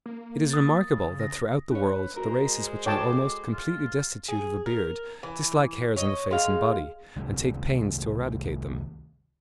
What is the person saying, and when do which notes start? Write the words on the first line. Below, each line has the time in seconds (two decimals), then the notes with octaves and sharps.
It is remarkable that throughout the world the races which are almost completely destitute of a beard dislike hairs on the face and body, and take pains to eradicate them.
0.06 A#3
0.50 D#6 A6
0.95 C#3
1.20 A#6
1.71 D4 B4 C#5
2.16 G#3 F#4 A#4 C5 A#5
2.86 F#4 A4 C#5 G5 A5 D6
3.53 F4
4.28 G#4
4.66 A#4
5.23 E3
5.96 C#5 D#5
6.31 G#3 F5
7.16 C2 D#3 G#3